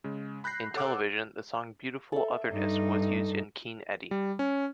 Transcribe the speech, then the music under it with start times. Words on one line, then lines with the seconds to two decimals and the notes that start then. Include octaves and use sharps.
In television, the song "Beautiful Otherness" was used in Keen Eddie.
0.04 C#3 G#3
0.44 B5 F#6 G6 A#6 C7
0.75 A4 C#5 F#5 D6 E6 F#6
2.12 A4 E5
2.51 G2 D#4
4.11 G3
4.39 C#4